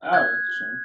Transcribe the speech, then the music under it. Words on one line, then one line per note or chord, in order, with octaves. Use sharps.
Oh, that's a shame.
F#6 G#6